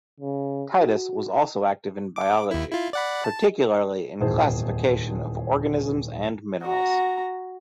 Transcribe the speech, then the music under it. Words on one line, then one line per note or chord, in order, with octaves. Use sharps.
Titius was also active in Biology, particularly in classification of organisms and minerals.
C#3
F#4
D6
D#2 E4
E4 F4
D5 F#5 B5
A5
D#1 G#1 E2 G#4 C5 A5
F#4 A#5